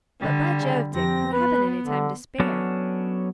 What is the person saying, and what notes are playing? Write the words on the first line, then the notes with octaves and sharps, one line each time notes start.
But, by Jove, Dick, we hadn't any time to spare.
D3 G3
C#3
F2 C3 C4 A#6
B3 B4
D3
F#3 B3 C#4 D4 A4 C#5